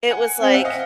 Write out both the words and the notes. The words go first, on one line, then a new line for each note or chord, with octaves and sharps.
it was, like
F#5 G#5
C4 F5 G5
E5 F#5
D#5 F5